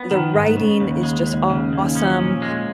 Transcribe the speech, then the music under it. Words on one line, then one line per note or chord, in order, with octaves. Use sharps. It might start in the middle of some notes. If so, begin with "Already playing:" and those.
the writing is just awesome,
Already playing: B3
D#3
G#2
C#3
D#2
G#3
D#2
C#3
D#2
F3 C#4
A#2
G#3